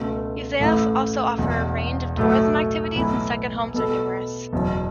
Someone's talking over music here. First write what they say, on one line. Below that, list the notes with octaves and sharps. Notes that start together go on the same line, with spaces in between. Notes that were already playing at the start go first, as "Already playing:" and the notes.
Yzeures also offers a range of tourism activities and second homes are numerous.
Already playing: C#2 B2 A3
A1 A2 A3 E4
E1 E2 B2
B1 A2 A3 F#4
B1 A2 E3 B3 E4
B2 B3 A4
F#1 E2 B2 F#3